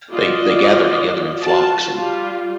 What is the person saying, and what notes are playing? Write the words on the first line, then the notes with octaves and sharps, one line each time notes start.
They they gather together in flocks and
F4 F#4 D5 D#5
F4 F#4 A5
G3 F4